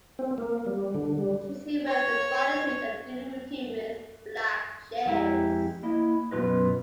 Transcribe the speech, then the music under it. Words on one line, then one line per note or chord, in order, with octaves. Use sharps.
She is seen wearing a bodysuit and doing a routine with black chairs.
C4
A#3
G3
D3
G3
C#5
F2 G#3 E4 G4 A#5
A#3 E4 D#5
F#2 B2 G3 F4 B4 D#5